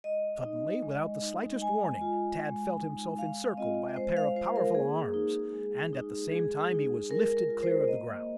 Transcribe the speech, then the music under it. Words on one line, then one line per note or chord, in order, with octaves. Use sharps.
Suddenly, without the slightest warning, Tad felt himself encircled by a pair of powerful arms, and, at the same time, he was lifted clear of the ground.
G#3 D#5
D#4
G#3
D#4
G#3 G#5
F4
G#3
D#4
G#3 F5
C4 F4 D#5
G#3 C5
F5
F4 C5
A#4
A#3 G#4
D#4
G#3
D#4
G#3 G#4
D#4
G#3 A#4
A#4
F4
C5
A#3 D#5